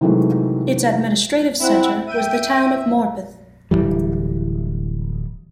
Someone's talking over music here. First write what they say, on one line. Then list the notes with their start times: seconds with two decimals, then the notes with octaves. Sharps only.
Its administrative centre was the town of Morpeth.
0.01 C3 D#3 E3 F#3 G#3 A3
1.59 C4 E4 F#5
2.07 E5 G5 D#7
3.71 D1 E2 E3 G3